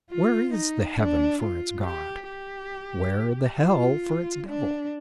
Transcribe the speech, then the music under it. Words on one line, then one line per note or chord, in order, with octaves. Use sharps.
Where is the Heaven for its God? where the Hell for its Devil?
F4
D#4
D4
F4
G4
G4
F4
D4